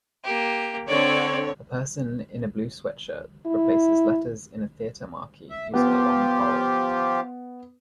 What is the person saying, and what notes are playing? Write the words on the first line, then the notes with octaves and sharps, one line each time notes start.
A person in a blue sweatshirt replaces letters in a theater marquee using a long pole.
A#3 G4
D3 C4 C#5 D5
E4
E5
F3 B3 F4 G4